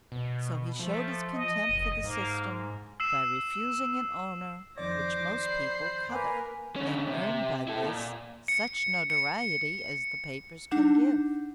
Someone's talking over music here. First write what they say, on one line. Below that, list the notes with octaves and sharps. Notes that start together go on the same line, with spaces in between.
So he showed his contempt for the system by refusing an honour which most people covet, and earned by this such notoriety as the papers can give.
B2
F3 A3
D#5
F1
G#2 A#3
E6 C7 E7
F2 D#3 C5 D5 D6 A#6
B5 C7
A#3 A#4 B4 F5 G#5 D6
D3 C#4
C3
E4 A4
A#2
C#7
C#7
D4 D#4 F#5 D6 G6 E7